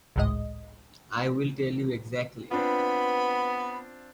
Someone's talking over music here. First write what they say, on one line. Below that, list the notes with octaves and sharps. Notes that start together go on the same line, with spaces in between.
I'll tell you exactly.
G#1 C#2 A2 G#3 D#5
B3 C4 D4 F4 B4 B5